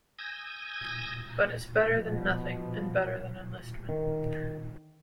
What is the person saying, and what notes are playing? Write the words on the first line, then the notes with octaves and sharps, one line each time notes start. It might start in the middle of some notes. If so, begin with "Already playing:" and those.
But it's better than nothing, and better than enlistment.
G#5 D#6 E6 G6 G#6 A#6
B2 F3
D#3